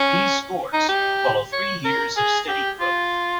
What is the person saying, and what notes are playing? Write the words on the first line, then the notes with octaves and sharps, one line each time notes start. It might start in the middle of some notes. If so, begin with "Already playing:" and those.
These scores follow three years of steady growth.
Already playing: C#4
D#4
G4
C#5
A#4
G#4
G4
F4